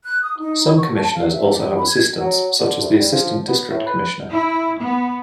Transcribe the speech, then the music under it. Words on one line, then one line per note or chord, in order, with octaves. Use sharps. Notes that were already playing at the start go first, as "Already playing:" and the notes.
Some commissioners also have assistants, such as the Assistant District Commissioner.
F#6
D#6
D#4
E4
C#6
A5
F5
E5
G4
B5
G#6
F#3
D3
D2
G3
F3
B3
A2
B4
E4
B3